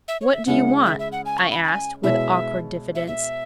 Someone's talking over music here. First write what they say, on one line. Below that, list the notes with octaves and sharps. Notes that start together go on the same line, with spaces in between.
"What do you want?" I asked, with awkward diffidence.
E5
C#5
E5
C#3 G#3 C#4 E4 G#4 F#5
E5
E5
F#5
G#5
C#6
B5
B5
G#5
B2 G#3 E4 C#5 E5
E5
E5